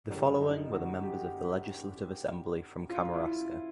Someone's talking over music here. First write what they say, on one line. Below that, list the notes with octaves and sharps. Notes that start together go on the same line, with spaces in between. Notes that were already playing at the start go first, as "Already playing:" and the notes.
The following were the members of the Legislative Assembly from Kamouraska.
F#1 F#2 D3 G3 D4
D#4
F#4
G4
F4
E4